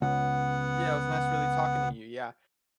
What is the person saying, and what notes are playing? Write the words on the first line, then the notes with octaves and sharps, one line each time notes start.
Yeah, it was nice really talking to you, yeah.
C#2 B3 F#5